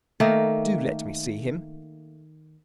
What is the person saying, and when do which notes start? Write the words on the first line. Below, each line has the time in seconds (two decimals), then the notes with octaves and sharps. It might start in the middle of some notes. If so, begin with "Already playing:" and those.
Do let me see him.
0.20 D#3 A3 A#3